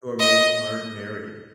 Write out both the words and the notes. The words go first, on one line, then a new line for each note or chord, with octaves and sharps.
or maybe aren't married.
D#5